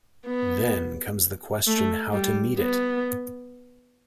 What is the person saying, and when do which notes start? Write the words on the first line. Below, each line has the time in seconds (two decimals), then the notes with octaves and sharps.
Then comes the question how to meet it.
0.27 B3
1.67 A3
2.13 G3
2.59 B3